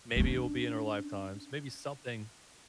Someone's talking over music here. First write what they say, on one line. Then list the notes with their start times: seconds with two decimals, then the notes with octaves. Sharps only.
Maybe it will be in our lifetimes. Maybe something,
0.16 C#4 D4